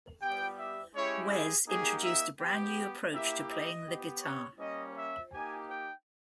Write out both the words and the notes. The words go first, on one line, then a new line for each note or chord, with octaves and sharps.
Wes introduced a brand new approach to playing the guitar.
G3 B3 G4 G5
E5
G#3 C#4 E4 G4 C#5
G#4
A#3 D#4 G4 G#4
E5
B3 G4 G5
A#3 E4 G4 E5
D#5
B3 G4
C#5
G3 A#3 C#4 D#5
E5
A#3 D#4 G4 G#5
G5